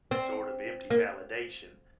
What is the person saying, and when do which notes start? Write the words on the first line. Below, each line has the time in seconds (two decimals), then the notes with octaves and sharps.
sort of empty validation
0.11 C4
0.90 A#3